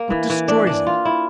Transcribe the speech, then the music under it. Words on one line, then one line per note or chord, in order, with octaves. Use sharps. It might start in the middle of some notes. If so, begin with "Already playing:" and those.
What destroys it?
Already playing: A#3
E3
E3
D4
D4
F4
E4